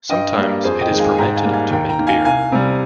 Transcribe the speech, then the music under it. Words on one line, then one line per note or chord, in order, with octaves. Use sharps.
Sometimes it is fermented to make beer.
G2 D#5 G5
G3 A#3
F2 G#4 C5
D#5 G5
D#3 G#3
F5 G#5
G#5
G#2 G5 A#5
F5 G#5
G3 A#3
F5 G#5
D#2 G5 A#5
G5 A#5
D#3 A#3
F5 G#5
C2 F5 G#5
C3 G3